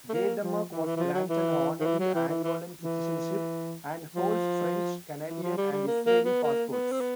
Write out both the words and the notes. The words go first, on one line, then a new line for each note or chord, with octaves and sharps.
Gaydamack was granted honorary Angolan citizenship and holds French, Canadian and Israeli passports.
A3
A#3
F3
E3
D#3
E3
E3
F3
F#3
E3
D#3
E3
F#3
E3
E3
E3
E3
F3
E3
F3
G3
G3
A#3
A#3
B3
A#3
B3
C4
B3